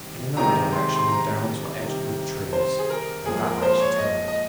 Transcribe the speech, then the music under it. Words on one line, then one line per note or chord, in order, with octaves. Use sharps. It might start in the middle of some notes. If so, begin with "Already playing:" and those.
In another direction the Downs were edged with trees, and that way she turned.
Already playing: C3 D#3 G3
C3 D#3 G#3 A#5
C6
C6
A#5
C3 D#3 G3
C5
G#4
A#4
A#2 F3 G#3 G#4
A#4
C5
C#5
D#5
D#5